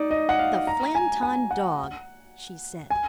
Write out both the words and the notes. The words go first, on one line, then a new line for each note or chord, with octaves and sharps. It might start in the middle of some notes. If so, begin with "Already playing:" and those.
"The Flanton Dog!" she said.
Already playing: D#4 D5
D#5
F#5
F5
A#5
G#5
G#5
F#5
G#5